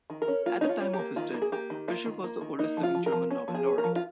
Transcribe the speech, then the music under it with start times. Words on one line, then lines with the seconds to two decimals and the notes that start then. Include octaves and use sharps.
At the time of his death, Fischer was the oldest living German Nobel laureate.
0.10 D#3
0.22 A#4
0.28 C#4
0.46 A#3 F4
0.61 C#4 D#4
0.69 F4
0.81 C#4
0.93 G4
0.99 A#3
1.16 D#3 F4
1.34 A#3
1.42 G#4
1.52 A#3 G4
1.70 D#3
1.88 A#3 F4
2.06 D#3
2.24 A#3
2.41 D#3
2.59 A#3 D#4
2.77 F3
2.83 F4
2.95 F3
3.06 A#4
3.12 F3
3.30 C#4
3.48 F3
3.55 G#4
3.66 C#4
3.78 A#4
3.84 F3
3.96 F4